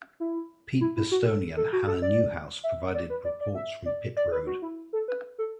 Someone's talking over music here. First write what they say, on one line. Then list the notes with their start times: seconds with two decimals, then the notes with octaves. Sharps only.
Pete Pistone and Hannah Newhouse provided reports from pit road.
0.20 E4
0.81 E4
0.97 E4
1.11 F#4
1.27 A4
1.57 A4
1.73 F#4
1.87 A4
2.02 D5
2.64 E5
2.94 D5
3.10 B4
3.25 D5
3.41 D5
3.55 E5
3.86 D5
4.17 D5
4.32 B4
4.47 F#4
4.62 E4
4.93 A4
5.08 B4
5.38 A4